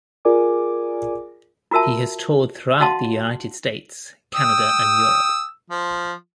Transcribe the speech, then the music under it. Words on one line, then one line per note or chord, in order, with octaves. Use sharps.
He has toured throughout the United States, Canada, and Europe.
F4 G#4 A#4 D5 G#5 D6
F4 F#4 A#4 E5 A5
F#4 D#5 F5 F#5 A5 C6
G5 D#6 E6
F3